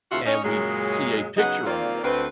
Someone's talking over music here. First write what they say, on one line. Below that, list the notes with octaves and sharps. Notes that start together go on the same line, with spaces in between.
and we see a picture on the wall,
D#2 C#3 F4 F#4 E5 F5
C#4 D#4 C#5
F#2 A#2 C#3 F#3 G#3
C#3 F#3 B3 D#4 G#4 F#5
D#3 A#3 C4 F4 D5
D2 C4 B4